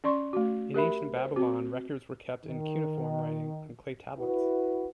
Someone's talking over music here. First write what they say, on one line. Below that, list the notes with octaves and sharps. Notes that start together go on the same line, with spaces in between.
In ancient Babylon records were kept in cuneiform writing on clay tablets.
C#4 D5 C6 C#6
A3 F#4
G4 A#4 E5 B5
C5
C4 F#4
D#3
E4 F#4 B4